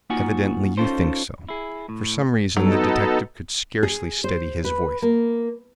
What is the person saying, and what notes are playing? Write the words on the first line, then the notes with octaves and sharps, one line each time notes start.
"Evidently you think so." For some reason the detective could scarcely steady his voice.
A#3 D#4 F4 F#4 F#5 G#5
C#4 D#4 F4 A4 C5
E4 G#4
A2
F#3 B3 D#4 A4
G#4
C5
B4
A#3